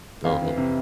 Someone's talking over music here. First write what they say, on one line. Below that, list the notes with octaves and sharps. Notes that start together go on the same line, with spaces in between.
Uh huh.
F2 F5
E3
C3